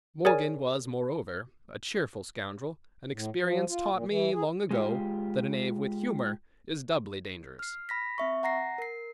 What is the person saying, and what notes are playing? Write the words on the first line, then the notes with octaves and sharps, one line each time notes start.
Morgan was, moreover, a cheerful scoundrel, and experience taught me long ago that a knave with humor is doubly dangerous.
G#4 A#4 C#5 D5 G#5
A2
F3
F4
A#2
E3
G#4
G#3 F4 G4
F6 C7
B5 A#6 B6
C4 E5 C#6
F#5 A#5 A#6 C7
A#4 C7